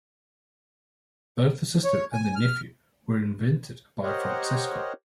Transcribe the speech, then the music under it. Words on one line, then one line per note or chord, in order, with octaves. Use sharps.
Both the sister and the nephew were invented by Francesco.
C#5
G#5
F6
G4 A#4 C5 C#5 D#5 F#5